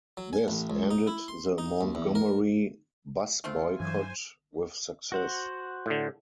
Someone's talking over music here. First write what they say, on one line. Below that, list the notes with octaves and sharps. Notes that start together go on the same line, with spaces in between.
This ended the Montgomery Bus Boycott with success.
F#3
G#5
A1
C#2
D#4
E4
C6
D#4
D#2
E2
A#4
A3 C4 F4
G2 E3 F#3 C5 G#5
F#4 C5 F#5
A2 D3